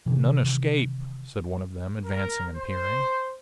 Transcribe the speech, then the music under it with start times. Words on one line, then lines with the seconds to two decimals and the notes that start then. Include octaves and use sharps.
"None escape," said one of them, advancing and peering.
0.06 C3 D#3 E3
2.05 A#4
2.56 C5